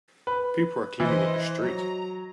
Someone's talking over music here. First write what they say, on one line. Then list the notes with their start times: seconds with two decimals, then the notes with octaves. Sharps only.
People are cleaning up a street.
0.27 B4
1.00 E3 E4 C5 D#5
1.63 F#3 A#5